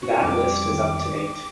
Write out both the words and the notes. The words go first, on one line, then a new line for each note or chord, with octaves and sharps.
That list is up to date.
C#4 F#4 C#6
F2 G3 D6
D#3 B3